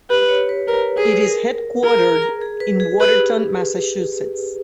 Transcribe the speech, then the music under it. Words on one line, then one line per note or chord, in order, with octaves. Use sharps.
It is headquartered in Watertown, Massachusetts.
G4 B4
C#5
B4
A#4 B4
G#4 B4
A#4
G#4 A#4
G#4
A#4
G#4
B4
G#4
G4 B4